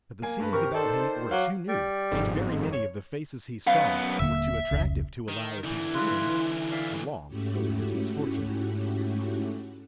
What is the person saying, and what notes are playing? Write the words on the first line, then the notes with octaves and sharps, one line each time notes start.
But the scenes about him were too new, and very many of the faces he saw were too attractive, to allow of his brooding for long over his misfortune.
A#3 G#5
G2 B4
C4 G4 A#4 C#6
D#3 A4 C5 D5
F#3 F5 D6
G3
G1 F2 G#2
C#5
F#2 B3 F5
D#1 D3 A#3 E5
F1 C#2
D#3
D2 E3 E4
F4 B4
D5 E5 F5
G#2 A3 C#4 E4 F#4 G4